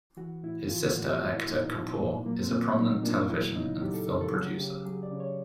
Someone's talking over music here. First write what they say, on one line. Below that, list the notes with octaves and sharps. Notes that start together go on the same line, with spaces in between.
His sister Ekta Kapoor is a prominent television and film producer.
E3 F#4
A2 E4
E3 F4
F#4
A2
G4
F3 F#4
E4
A#2 D#4
B3
F3
A#2
F#3 A#3
C4
A#2 B3
F#3 D#4
A#2 D4
F#3 E4
C#3 D#4
F#3 G4
A4
C#3 A#4
A4
F#3 G#4
C#3 G4
F#3 G#4
D5
C#3
C#5